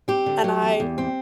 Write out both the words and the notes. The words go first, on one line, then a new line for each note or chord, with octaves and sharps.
And I
C4 G4
D3
F#3
E2
E2
C4